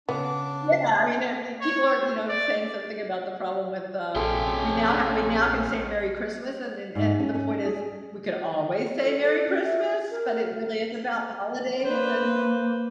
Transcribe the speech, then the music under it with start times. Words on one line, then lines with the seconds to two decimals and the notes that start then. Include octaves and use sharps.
yeah, you know, there people aren't, you know, saying something about the problem with, uh we now ha we now can say, "Merry Christmas," and and and the point is we could always say, "Merry Christmas," but it really is about holidays, and
0.09 C#3 B3 D4 D6
1.61 C#5
1.99 C5
2.29 D5
4.15 A#1 C3 G#3 C#4 G#4 A4 G5 G#5
6.95 G#2
7.20 C#4
7.35 C#4
7.65 G#4
9.02 A4
9.22 A4
9.48 C#4
9.64 E5
10.11 A#4
11.83 A#3 B4 C5